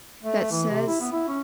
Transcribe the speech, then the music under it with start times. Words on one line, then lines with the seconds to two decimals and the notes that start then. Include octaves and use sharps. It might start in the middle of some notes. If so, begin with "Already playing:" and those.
that says
0.23 A3
0.51 E3
0.69 C3
0.87 E4
1.01 B3
1.12 E4
1.28 C#4